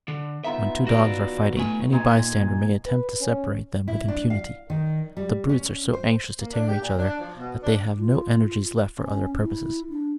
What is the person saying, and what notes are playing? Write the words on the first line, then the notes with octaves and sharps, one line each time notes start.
When two dogs are fighting, any bystander may attempt to separate them with impunity. The brutes are so anxious to tear each other that they have no energies left for other purposes.
D3
B3 D#4 F4 E5
F#4 D5
A3 G#5
A#2 D#4 G#4 C6
B4
C#4
E4
D4
F5
D#3
G3
C#4
C5
A#3
D4
G4
A#2
D4
F3
B2
D4
F4
C#4
E4
D4